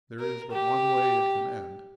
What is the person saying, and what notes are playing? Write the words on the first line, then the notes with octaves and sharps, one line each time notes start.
There is but one way it can end.
A#4
G4